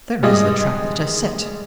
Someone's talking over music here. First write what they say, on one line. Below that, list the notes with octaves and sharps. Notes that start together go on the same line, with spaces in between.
There is the trap that I set!
G3 G#3 D#5